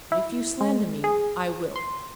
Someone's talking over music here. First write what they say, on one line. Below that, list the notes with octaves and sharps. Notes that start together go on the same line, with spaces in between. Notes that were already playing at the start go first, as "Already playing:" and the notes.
But if you slander me, I will.
E4
G#3
G#4
C6